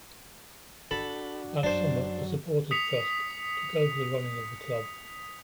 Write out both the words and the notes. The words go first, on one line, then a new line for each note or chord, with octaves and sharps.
That summer, a supporters' trust took over the running of the club.
D4 F#4 A4 B5
F#2 F#3 D4 C5
D#6 B6 C#7 F7